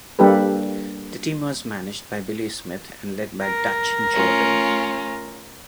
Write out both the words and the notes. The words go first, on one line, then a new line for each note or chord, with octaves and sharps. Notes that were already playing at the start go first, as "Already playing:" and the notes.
The team was managed by Billy Smith and led by Dutch Jordan.
G3 A#3 D4 G4 A4 B4
A#4
A3 C#4 F4